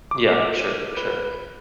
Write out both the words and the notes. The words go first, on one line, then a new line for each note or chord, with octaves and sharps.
Yeah, for sure, for sure.
D6
B4